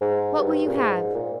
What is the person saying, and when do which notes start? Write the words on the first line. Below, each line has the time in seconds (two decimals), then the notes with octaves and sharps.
What will you have?
0.01 G#2
0.38 G2
0.66 A#2
0.77 G#2
1.14 A#2